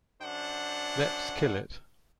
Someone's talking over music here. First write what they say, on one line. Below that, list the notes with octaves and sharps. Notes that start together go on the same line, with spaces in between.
Let's kill it.
F#2 D4 C5 F#5